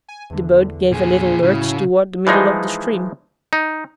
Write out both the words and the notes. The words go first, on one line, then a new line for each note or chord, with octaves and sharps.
The boat gave a little lurch toward the middle of the stream.
G#5
E2 D3
A#2 G#4
A2 C#3 F#3 E4
E3 F3 G#3 D#4
D#4